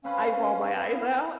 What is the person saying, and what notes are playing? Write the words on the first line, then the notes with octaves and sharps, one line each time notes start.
I bawl my eyes out.
C4 C#4 B4 F5
B3 E4